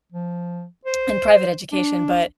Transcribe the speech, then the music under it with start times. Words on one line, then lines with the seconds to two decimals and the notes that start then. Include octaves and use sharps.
in private education, but
0.12 F3
0.85 C5
1.72 D4